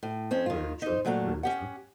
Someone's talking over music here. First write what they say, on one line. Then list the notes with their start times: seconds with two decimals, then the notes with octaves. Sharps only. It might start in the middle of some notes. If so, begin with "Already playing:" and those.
Very true. Very true.
0.03 A2
0.31 F2 C4 C#4
0.46 D#3 F4
0.82 D#4 C5
1.05 A#2 F#3 A3 D4 A#5
1.43 C#4 G4 F#5